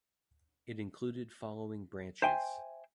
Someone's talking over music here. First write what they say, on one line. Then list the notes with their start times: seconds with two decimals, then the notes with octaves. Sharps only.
It included following branches.
2.22 C5 E5 G5 G#5 C6